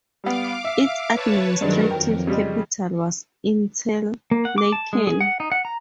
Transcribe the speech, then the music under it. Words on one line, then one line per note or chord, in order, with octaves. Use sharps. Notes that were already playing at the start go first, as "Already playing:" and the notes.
Its administrative capital was Interlaken.
G3 B3 F5 D6
E5
B4 C#5 A5
G2 D#3 F#3 G#3 D4 A#4
F2 G5
C#3 G3 G#3
A#3
F#5
D6
A5
G#3
G#4
F#5
D#4
F#5
A#5